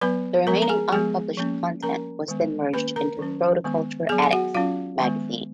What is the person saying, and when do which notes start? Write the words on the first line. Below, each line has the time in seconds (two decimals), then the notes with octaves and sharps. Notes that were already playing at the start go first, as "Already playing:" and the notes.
The remaining unpublished content was then merged into "Protoculture Addicts" magazine.
0.01 F#3 B3 B4 B5
0.47 F3 G#3 B3 A#4 A#5
0.62 A#5
0.69 G#4 G#5
0.92 F3 G#3 B3 G#4 G#5
1.37 F3 A#3 C#4
1.83 F3 A#3 C#4 A#4 A#5
2.28 D#3 G#3 B3
2.73 D#3 A#3 C#4 B4 B5
2.96 A#4 A#5
3.19 D#3 F#3 C#4
3.64 D#3 G#3 B3
4.09 F#3 B3 G#4 G#5
4.24 G#5
4.32 F#4 F#5
4.55 F#3 C#4 F4 F5
5.00 D#3 G#3 B3